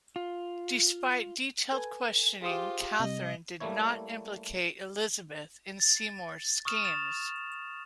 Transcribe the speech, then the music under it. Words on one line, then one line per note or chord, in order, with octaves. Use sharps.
Despite detailed questioning, Katherine did not implicate Elizabeth in Seymour's schemes.
F4
A4 B4 G#5
F4 G4 G#4 C5 D#6
C3 G3 D#5
G3 A3 A#3 E4 C#5
A6
C#6 D#6 F6 E7
A6 E7 F7